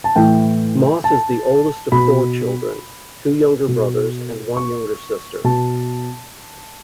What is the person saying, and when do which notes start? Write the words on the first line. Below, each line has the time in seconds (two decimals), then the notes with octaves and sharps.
Moss is the oldest of four children, two younger brothers and one younger sister.
0.04 A5
0.16 A2 E3 G5
1.04 A5
1.92 B2 B5
3.68 B2
4.57 C#6
5.44 B2 A5